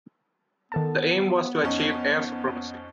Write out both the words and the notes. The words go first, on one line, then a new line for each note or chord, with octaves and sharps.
The aim was to achieve air supremacy.
D#3 B3 A4 A5
F2 C#4 D#4